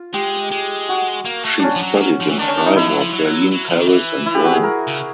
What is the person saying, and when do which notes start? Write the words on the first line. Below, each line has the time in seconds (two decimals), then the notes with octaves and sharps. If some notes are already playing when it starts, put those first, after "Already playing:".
She studied in Freiburg, Berlin, Paris and Rome.
Already playing: F4
0.14 G#3 G4
0.52 G#3
0.89 F#4
1.26 A#3
1.45 A3
1.59 C#4 D4
1.76 F3
1.82 F#3
1.95 F3
2.01 F#3
2.20 F3
2.29 E3
2.39 D#3 D4
2.47 C#4
2.57 D4
2.66 D#4
2.76 F3 E4
2.89 F#3
3.00 F3
3.13 F#3
3.51 F#3
3.69 F3
3.78 D#3
3.88 E3
4.26 E4
4.34 G4
4.45 F#4
4.53 G#4
4.63 A#4
4.88 C#3